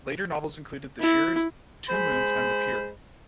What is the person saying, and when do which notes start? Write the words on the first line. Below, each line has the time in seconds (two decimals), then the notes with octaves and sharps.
Later novels include "The Shearers", "Two Moons" and "The Pier".
1.00 E4
1.89 G#3 C5 B5